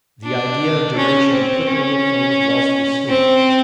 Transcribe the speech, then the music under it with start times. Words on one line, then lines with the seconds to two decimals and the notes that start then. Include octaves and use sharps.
The Idea of Duration applicable to Things whilst we sleep.
0.25 D4
0.96 C#4
1.32 C4
1.67 C#4
3.09 C4